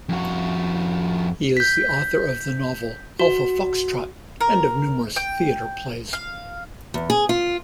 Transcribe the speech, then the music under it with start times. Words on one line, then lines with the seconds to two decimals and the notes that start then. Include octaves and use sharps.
He is the author of the novel "Alpha Foxtrot" and of numerous theatre plays.
0.09 F2 F#4
1.57 G6 B6
3.19 F#4
4.40 A#4
5.16 G5
6.13 F5
6.94 E2
7.10 G#4
7.29 F4